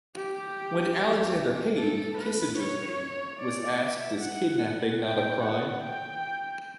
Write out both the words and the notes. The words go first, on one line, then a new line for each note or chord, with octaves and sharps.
When Alexander Haig, Kissinger's aide, was asked is kidnapping not a crime?
G4
A4
B4
C#5
D5
E5
F#5
G5
F#5
G5